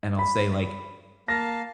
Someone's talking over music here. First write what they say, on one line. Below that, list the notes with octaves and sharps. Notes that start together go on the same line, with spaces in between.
and I'll say, like,
B5
A#3 F5 A5 A#6